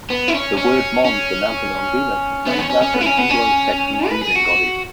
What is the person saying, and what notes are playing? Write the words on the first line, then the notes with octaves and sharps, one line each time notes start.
The Wyrd Mons, a mountain on Venus, is named after an "Anglo-Saxon weaving goddess".
B3
E4
C#4
C#4
C#4
B3
C#4
C#4
C#4
B3
E4
C#4
B3
C#4
B4
G#4
F#4